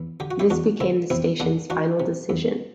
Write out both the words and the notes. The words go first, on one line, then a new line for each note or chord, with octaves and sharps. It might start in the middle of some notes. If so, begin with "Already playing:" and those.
This became the station's final decision.
Already playing: E2
D3 G4
F#4
E4 G4
E2 D4 F#4
D3 C4 E4
E2 C4 E4
E2 B3 D4
E3 D4 F#4
C3
E2